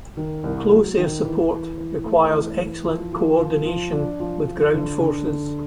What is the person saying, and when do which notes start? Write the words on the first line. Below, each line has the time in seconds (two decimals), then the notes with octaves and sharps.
Close air support requires excellent coordination with ground forces.
0.17 D#3
0.44 C2
0.71 F#3
0.98 D#3
1.25 E3
1.51 E3
1.78 E3
2.04 A3
2.31 E3
2.59 E3
2.85 F3
3.13 F3
3.39 F3
3.65 F3
3.92 D4
4.20 F3
4.47 F3
4.74 D3
5.00 D3
5.27 D3